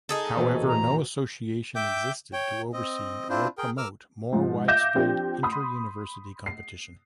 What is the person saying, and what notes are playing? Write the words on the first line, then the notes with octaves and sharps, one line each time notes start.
However no association existed to oversee or promote more widespread inter-university competition.
D#4 G#4 A4
E2 A#2 F#4 B4 C5
A#5
E5 G5 D6 G6
C#5 G5
C4 D#5
C4 D4 E4 F4 C5
G#4 A#4 G5
A#4 D6 E6 F6
G#2 F3
E5 F5 D6 G6 A#6 E7
F3 C4 D4 G4
B5 C6 D#6
C7